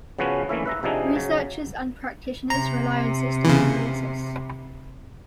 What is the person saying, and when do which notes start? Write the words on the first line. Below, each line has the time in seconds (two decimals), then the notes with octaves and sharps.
Researchers and practitioners rely on system analysis.
0.19 C#3 F3 B3 C#4 F#4 B4
0.49 D3 E3 A3 A#3 C#4 E4
0.66 B4 E5 A#5
0.83 C3 F3 D4 D#4 G#4
1.16 C#3 F#3
2.50 C3 A#5
3.45 C#3 E3